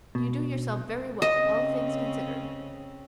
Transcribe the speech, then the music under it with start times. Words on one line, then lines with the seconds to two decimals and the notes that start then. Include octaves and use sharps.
You do yourself very well, all things considered.
0.15 B2
1.22 C#3 C4 C#4 D#5